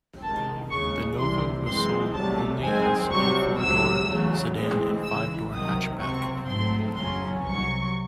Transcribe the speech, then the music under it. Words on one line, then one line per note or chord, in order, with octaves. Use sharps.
The Nova was sold only as a four-door sedan and five-door hatchback.
C3 D#3 G#3 A5
D#2 C#3 G#3 C#6
C2 C3 E3 C6
F#2 E3 G#3 C4 C6
C2 C3 F#3 A3 A5
F#2 D#3 G#3 C4 G#5
C2 C3 F#3 C4 C#6
C#2 C3 F#3 E6
E2 C#3 F#3 A3
A2 E3 G#3 C4
C#3 E3 G#3 E6
C2 C3 D#3 F#3 D#6
C#2 C3 F#3 C4 C#6
G#2 F#3 A3 C4 C6
F#2 C#3 F#3 C#4 C6
C2 C3 F#3 C#6